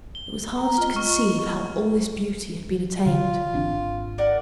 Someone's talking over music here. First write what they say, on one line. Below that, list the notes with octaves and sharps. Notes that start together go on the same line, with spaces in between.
It was hard to conceive how all this beauty had been attained.
G7
A#5
F4 D#5 F6 G7
C#6 F6
C#6
B2 D3 E3 F4
G#1 C4 D4
A#4 D5 F#5